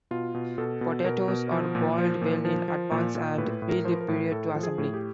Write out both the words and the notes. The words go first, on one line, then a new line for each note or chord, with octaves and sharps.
Potatoes are boiled well in advance, and peeled prior to assembly.
B2 F4
B2
B2 A4
B2
B2 A#4
B2
F3
A#2
F3
A#2
F3
F3
A#2
A#2
A2 B4
A2
A#4
F3 C5
B4
A#4
A2
A2 A4
F3
G#4
A2
G4